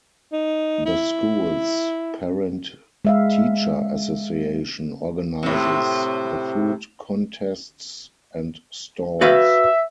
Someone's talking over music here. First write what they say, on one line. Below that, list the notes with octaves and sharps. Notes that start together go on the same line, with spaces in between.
The school's Parent Teacher Association organises the food, contests and stalls.
D#4
E4
G#3 E5 F5
A2 C3
F#4 B4 E5 F5